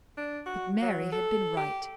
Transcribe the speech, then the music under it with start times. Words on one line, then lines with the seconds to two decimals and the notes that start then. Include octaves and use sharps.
But Mary had been right.
0.17 D4
0.46 F#4
0.82 F#3
1.12 A4
1.57 G4